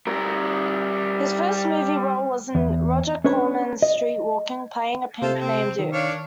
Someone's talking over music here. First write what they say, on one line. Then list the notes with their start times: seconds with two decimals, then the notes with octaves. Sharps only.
His first movie role was in Roger Corman's "Streetwalkin"' playing a pimp named Duke.
0.07 G3 A#4
2.55 E2
3.24 C#4 D4 B4 C#5
3.82 D#5
5.22 C3 F4 A4 C5
5.38 C4
5.79 D#3
5.93 D4 C#5 F5